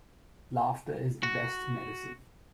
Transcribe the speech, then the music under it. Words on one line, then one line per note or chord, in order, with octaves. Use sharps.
Laughter is the best medicine.
F#4